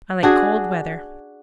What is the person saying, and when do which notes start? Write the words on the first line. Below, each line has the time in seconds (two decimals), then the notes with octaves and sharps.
I like cold weather.
0.23 D4 F#4 G#4